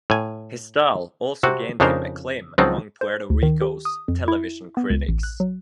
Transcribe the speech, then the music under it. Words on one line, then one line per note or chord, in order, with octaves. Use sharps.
His style also gained him acclaim among Puerto Rico's television critics.
A2 G#5
C3 C4 F#4
F2 C#3 D4 D#4 A#4 C5
C#2 F3 F#3 C4 D#4
C5
D2
D#3
G4
D#6
F2
E4
B3
C#2
A1
F#6
F#3